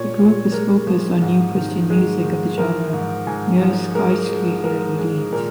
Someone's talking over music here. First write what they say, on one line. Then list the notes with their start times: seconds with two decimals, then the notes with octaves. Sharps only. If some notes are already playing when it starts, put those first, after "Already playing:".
The group is focused on new Christian music of the genre Neues Geistliches Lied.
Already playing: A#2 C#5
0.19 A#2
0.52 G#3 A#4
0.87 F3
1.21 G#2
1.55 D#3
1.90 G#3
2.24 D#3
2.58 F3 A#4
2.93 G#2
3.27 G#2 G#5
3.61 F3
3.95 G#3 A#4
4.30 G#3
4.64 G#3 A#4
4.99 G#3
5.32 A#2 A#4